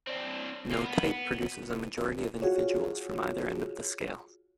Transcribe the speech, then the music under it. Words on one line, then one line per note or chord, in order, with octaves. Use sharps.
No type produces a majority of individuals from either end of the scale.
C4 D4
C3 A#3
B3
F4 F#4 G#4 C#5